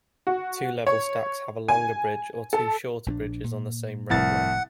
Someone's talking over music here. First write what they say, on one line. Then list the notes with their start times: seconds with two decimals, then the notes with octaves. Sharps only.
Two-level stacks have a longer bridge or two shorter bridges on the same roadway.
0.27 F#4
0.87 C#5
1.68 G#5
2.53 A4
3.06 A#1 C4 D4
3.44 A#2
4.10 F1 C2 A2 F3 F#5 A6